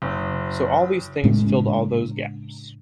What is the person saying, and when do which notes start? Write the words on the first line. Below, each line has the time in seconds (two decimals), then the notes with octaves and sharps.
So all these things filled all those gaps.
0.02 F#1
1.24 A2 C#3 G#3 D4